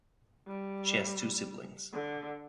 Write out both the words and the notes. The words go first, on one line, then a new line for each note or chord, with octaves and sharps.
She has two siblings.
G3
D3